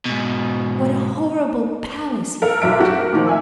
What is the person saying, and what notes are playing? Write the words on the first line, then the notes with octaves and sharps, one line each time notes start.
What a horrible palace! he thought.
G#2 B2
A4 A#4 F5
B1 F#2 E5 D7
F#4 G4
A#4
A#2 D#3 F3
E5 G#5 E6